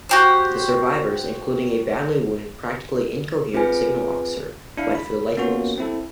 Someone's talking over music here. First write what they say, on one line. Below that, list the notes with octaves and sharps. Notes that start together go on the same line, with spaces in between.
The survivors, including a badly wounded, "practically incoherent" signal officer, went for the lifeboats.
F#4 G4 C5
C4 F4 G#4 B4 G#5
D4 E4 F5
B5
A#3 B3 C#4 F4 F#4
C4 E4 A4